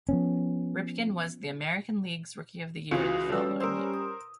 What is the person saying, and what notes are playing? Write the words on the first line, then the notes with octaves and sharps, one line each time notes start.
Ripken was the American League's Rookie of the Year the following year.
F3 B3 C#4
C#2 E3 F4 F#4 D#6
F3 G3 C#4 A4 B4 D5 E6
A#4 C5 D#6 E6
D#6